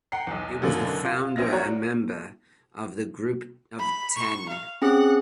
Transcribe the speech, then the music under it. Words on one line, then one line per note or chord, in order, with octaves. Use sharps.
He was the founder and member of "The group of ten".
F#5 G5 A#5 C7
B1 E2
F#2 B2 D3 D#3 F#3 A#3
F4
A#1 C4 E5 F6 A#6
F#4 C#5 A#5
B5
C#6
F5
C4 C#4 G#4 F#5